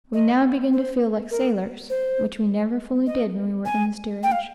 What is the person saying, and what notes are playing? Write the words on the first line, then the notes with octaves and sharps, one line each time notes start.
We now began to feel like sailors, which we never fully did when we were in the steerage.
D#5
C5
A#4
C5
D#5
G#5
G5
F5